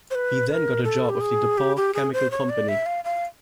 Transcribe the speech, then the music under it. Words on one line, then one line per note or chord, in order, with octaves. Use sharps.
He then got a job with the DuPont chemical company.
C5
B4
B4
A#4
A4
G4
G#4
G4
G4
G#4
C5
C#5
D5
E5
F5
F5